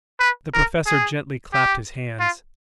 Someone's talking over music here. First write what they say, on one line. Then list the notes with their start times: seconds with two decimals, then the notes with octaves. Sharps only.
The Professor gently clapped his hands.
0.20 B4
0.54 A#4
0.86 G#4
1.54 G4
2.20 F4